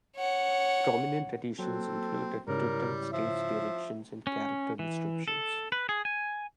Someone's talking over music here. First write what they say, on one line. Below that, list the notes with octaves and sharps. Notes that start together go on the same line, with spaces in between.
Prominent additions included written stage directions and character descriptions.
C#5 F#5
F#3 A#3 C4 F#4 A4
G#2 C#3 G3 E4 A#4 C#5
F3 E5
C#4
E3
A4
B4
G#4
G#5